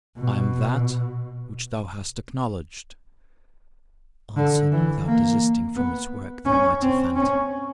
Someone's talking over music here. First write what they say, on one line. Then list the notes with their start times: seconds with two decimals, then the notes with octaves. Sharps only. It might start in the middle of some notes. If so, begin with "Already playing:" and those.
'I am That which thou hast acknowledged,' answered, without desisting from its work, the mighty phantom.
0.18 B2
4.36 D3
4.72 E3
5.06 A#3
5.76 B3
6.45 C#4
6.81 C4
7.15 C#4